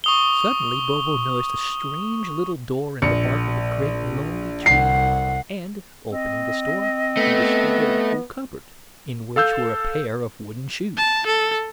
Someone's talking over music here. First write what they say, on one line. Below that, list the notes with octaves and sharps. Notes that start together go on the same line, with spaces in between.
Suddenly Bobo noticed a strange little door in the bark of a great lonely tree, and, opening this door, he discovered a little cupboard in which were a pair of wooden shoes.
C#6 D#6 G7
A#1 C#7
C2 F#5 C7
C4 D#5
A3 B3
A4 F5 E6 G6
A5
A4